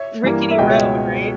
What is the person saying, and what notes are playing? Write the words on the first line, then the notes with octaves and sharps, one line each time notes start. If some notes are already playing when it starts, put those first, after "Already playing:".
rickety road, right?
Already playing: C#5 E5
G2 E3 G3 A#3
E5
C#2 B2 G#3 D#5 G5
C#5 E5